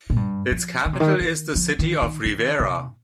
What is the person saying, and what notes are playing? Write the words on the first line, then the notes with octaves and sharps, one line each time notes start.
Its capital is the city of Rivera.
A#2
G2
F3
D#3
C3
D#3
D#3
F3
D#3
D#3
D#3
C3